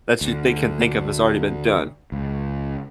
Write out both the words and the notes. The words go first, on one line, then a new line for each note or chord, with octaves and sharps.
that you think of think of has already been done.
D2
C#2